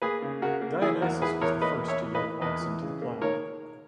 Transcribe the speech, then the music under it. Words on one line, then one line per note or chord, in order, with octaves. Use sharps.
Dionysus was the first to yoke oxen to the plough.
A#3 G#4 B4
C#3
C#3 F#4 A#4
A#3
E3 E4 G#4
E2 F#4 A#4
E3 G#4 B4
E2 A#4 C#5
A#3 B4 D#5
E2
C#5 E5
E3
B4 D#5
A#3
E2 B4 D#5
E3
C#3
A#3
D#3 A#4 C#5